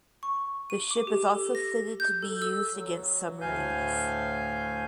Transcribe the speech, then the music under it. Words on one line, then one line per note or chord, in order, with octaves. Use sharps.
The ship is also fitted to be used against submarines.
C#6
D#7
D6
G4
A4
A#6
G6
A4
E6
F#3
D2 A2 F5 G#5 G6